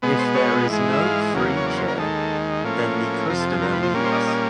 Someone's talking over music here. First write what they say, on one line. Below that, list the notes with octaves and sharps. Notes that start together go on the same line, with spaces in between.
If there is no free chair, then the customer leaves.
B2 G#3 B3
C5
C#5
G#2 E3 G#3
E5
F5
E2 C#3 F#3 A#3
C#5
D5
C5
A#4
D#2 D#3 G#3 A4
A2 F3 A#3 C#4
F2 C3 F3 A#4
A4
G#4
A#4
B4
C5
A#2 G3 A#3 C#4
C5
D#5
D5
D#5